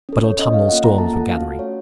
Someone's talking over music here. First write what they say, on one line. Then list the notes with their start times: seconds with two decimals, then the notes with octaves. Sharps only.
But autumnal storms were gathering.
0.09 C#4 A4
0.24 C#5
0.39 C#4 A4 D#5
0.54 F5
0.69 A#3 F4 A4 F#5
0.84 A#5
0.98 A#3 F4 A4 A5
1.14 F#5
1.29 A3 C#4 F#4 F5
1.59 A3 C#4 F#4 C#5